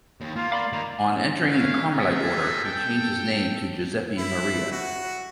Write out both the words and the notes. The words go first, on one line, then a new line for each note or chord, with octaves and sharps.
On entering the Carmelite Order he changed his name to Giuseppe Maria.
D#2
A#3 F4
D5 F5 B5 C6
D#3 A#3 F5 A#5
G#3 E4 G#4 C#5 F5
C#4 D#4 F4 G#4 A4 E5
A4 G5
E4
F#4